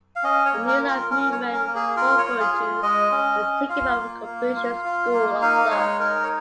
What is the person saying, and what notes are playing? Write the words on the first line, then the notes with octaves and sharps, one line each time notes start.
The New life Movement "four virtues" were taken from Confucian school of thought.
F5
C#4 D#5
C#5
A#3
A#4
F4
A#4
C#4 A#4
C#5
C#4
A#4
A#3
G#4
F4 A#4
C#5
F4
G#4
F4
G#3 D#5
C#4
C#4
F4 F5
A#3
A#3
F4
F4
A#3
D#4 F5
G#3 C#5
D#4 A#4
C#5